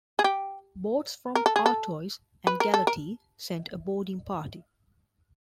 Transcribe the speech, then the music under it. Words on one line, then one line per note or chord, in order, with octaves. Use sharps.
Boats from "Artois" and "Galatea" sent a boarding party.
G#4
G4
A#4
A4
G#4
A4
B4
A#4
A4
A#4